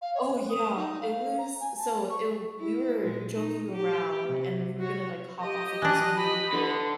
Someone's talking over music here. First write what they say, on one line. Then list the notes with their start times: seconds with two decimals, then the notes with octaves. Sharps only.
Oh yeah, it was so i we were joking around and we were gonna like hop off like, this really big,
0.01 F5
0.15 C#5
0.31 B4
0.49 D#6
0.76 D#4
1.01 F5
1.38 A#5
1.60 G#5
1.77 A5
2.10 C#6
2.59 E4
3.01 A#2 G#3
3.34 D#4
3.72 G4
4.26 C3
4.80 F#4 C#5
5.41 G4 D#5
5.82 E3 D4 F#6
6.16 B5
6.53 D3